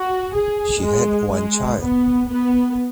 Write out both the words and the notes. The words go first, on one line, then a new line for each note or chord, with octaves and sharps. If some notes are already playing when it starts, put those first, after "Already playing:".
She had one child.
Already playing: F#4
G#4
G#3
G#3
B3
B3